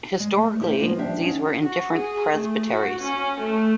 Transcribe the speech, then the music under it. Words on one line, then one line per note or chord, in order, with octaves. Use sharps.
Historically these were in different presbyteries.
G#3
A3
A3 E4 G4 A#4 C5
F3 F#3 G#3 A#3 B3 F4
F3 G3 D4 G4 E5
C#4 D#4 F#4
F#4
G#4
A3
F#4
C#4
A3